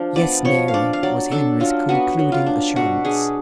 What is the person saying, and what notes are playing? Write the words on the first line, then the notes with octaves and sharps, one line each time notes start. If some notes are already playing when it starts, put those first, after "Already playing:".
"Yes, Mary," was Henry's concluding assurance.
Already playing: F3 D4 F5
B3 D5
F3 C#5
F5
D4 D5
F5
F#3 D5
D4 A4
F#3 F4
B3 F#4
F#3
F4
D4
B2 F#4
D4 G#4